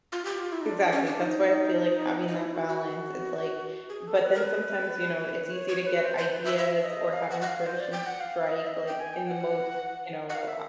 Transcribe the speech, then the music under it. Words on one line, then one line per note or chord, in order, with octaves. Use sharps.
yeah. Exactly, that's why I feel like having that balance, it's, like but then sometimes, you know, it's easy to get ideas or have inspiration strike, like, in the most, you know,
F4
G4
F4
E4
D#4
D4
C#4
D4
D#4
D#4
E4
F#4
F#4
G#4
A4
B4
A#4
B4
C#5
C#5
B4
C5
C5
B4
E5
E5
D#5
F5
F#5
F#5
F5
C5
D5
G5
F#5
F5
D#5
E5
D#5
G5
G#5
G5
F#5
F#5
F5
E5